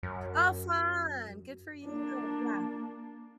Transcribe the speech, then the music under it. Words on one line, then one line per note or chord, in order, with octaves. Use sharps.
Oh, fun! Good for you. Yeah.
F#2
A#3 D4